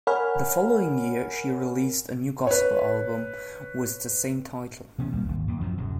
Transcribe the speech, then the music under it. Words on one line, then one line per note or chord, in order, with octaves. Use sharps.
The following year, she released a new gospel album with the same title.
A#4 C#5 F#5 G#5 B5 F6
B4 C#5
C3 E3 B3 C#4
A#1 D#2 G3 A#3
G#1 D#2
D#2
F#2 A2 F3
D1 F#2 C3 F#3